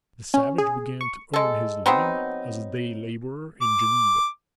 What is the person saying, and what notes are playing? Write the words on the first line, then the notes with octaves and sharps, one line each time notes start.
The savage began to earn his living as a day laborer in Geneva.
C#4
G#4
C#6
G#3 A4
F#3 B3 C4 D#4
D6